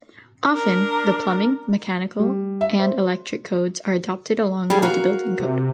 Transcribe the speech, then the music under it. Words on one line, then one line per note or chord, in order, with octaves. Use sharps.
Often, the plumbing, mechanical, and electric codes are adopted along with the building code.
D4 A#4
G3
E5
C5
G3 G4 G#4
F#4 A#4 F5 A#5
C3